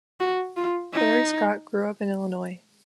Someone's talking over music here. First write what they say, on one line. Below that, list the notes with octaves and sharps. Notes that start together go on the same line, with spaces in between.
Hillary Scott grew up in Illinois.
F#4
F4
D#4